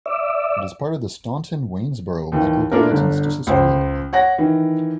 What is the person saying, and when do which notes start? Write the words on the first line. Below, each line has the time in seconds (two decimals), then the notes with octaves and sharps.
It is part of the Staunton-Waynesboro Micropolitan Statistical Area.
0.06 D5 E5
2.32 D#2 D#3 E3
2.72 A3 A#3 D4 E4 F4 A#4
2.89 G1 D3
3.47 C#2 C5
4.13 C#5 F#5 A#6
4.38 D#3 E3